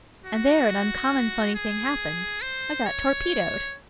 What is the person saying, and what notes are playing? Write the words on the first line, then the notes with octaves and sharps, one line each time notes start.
And there an uncommon funny thing happened--I got torpedoed.
F#4
G#4
C5
C#5